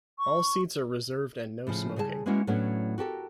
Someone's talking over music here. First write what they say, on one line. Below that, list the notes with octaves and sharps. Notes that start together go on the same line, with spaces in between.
All seats are reserved and no-smoking.
C#6
A2 C#3 F3
C#3 G3 G#4 D#5 A5
G#3 A#3 B3 C#4 E4 F#4
A2 F#3 A3 B3 C#4 D4
F#4 G4 A4 A#4